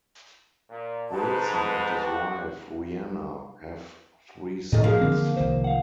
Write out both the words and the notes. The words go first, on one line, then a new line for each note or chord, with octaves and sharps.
Wilson and his wife Reanna have three sons.
A#2
F2 G#2 B4 A5
F#4 G4
A2 D#3 A4 D#5
F3 A#3 G#4 F5
D3 E3 C4
C2 D#3 C5
F5 F#5